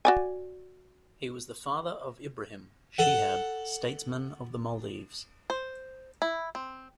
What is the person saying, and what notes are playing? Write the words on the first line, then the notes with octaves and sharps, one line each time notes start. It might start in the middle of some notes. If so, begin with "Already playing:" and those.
He was the father of Ibrahim Shihab, statesman of the Maldives.
F#4 D5 G#5
A4 F#5
C5
E4
C4